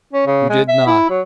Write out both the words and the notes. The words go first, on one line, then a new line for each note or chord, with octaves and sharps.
You did not!
C#4
C#3
G#3
E5
E4
F#3